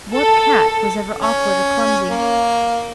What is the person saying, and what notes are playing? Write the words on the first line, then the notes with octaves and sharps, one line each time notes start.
What Cat was ever awkward or clumsy?
A4
C#4
A#3